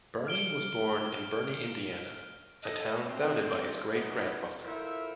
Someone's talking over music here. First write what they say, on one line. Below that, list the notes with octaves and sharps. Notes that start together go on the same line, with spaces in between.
Burney was born in Burney, Indiana, a town founded by his great-grandfather.
F6 D7 G7
A4 D#5
G#2 D3 A3 C4
F#2 E3 B3 D#4
E4 F4 A4 A#4 C5 E5